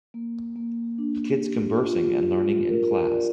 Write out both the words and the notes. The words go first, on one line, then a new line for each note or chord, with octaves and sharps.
Kids conversing and learning in class.
A#3
A#3
D4
G4
F4
F4
A#4
D5